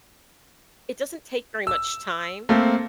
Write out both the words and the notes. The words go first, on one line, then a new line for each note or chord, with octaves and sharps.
it doesn't take very much time,
E6
A3 A#3 C4